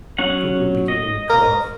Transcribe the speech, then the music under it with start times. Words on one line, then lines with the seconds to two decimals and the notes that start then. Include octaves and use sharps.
Cooper began to cough.
0.18 F#3 C#4 F#5
0.88 D#5
1.29 A#4